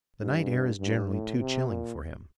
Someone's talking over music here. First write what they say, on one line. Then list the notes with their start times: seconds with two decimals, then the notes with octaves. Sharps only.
The night air is generally too chilling for him.
0.21 G2
0.80 G2
1.10 A2
1.39 C3
1.68 A#2